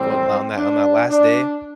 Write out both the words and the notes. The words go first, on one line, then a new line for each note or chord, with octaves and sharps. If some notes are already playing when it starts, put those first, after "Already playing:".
What on that on that last day,
Already playing: A2 E3 G3 C4
D4
D4